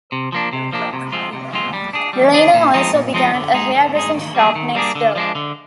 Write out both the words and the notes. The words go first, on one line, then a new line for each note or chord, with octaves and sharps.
Lena also began a hairdressing shop next door.
C3
F3 A#3 D4
C3
F3 A#3 D4
C3
F3 G#3 C4 F4
C3
F3 G#3 C4 F4
G3
D4 G#4
G3
D4 G#4
A#2
F3 G#3 C4 D#4
A#2
F3 G#3 C4 D#4
D3
G#3 D#4 G#4
D3
G#3 D#4 G#4
D#3
G3 A#3 D4 G#4
D#3
G3 A#3 D4 G#4
D3
F3 G#3 D4
D3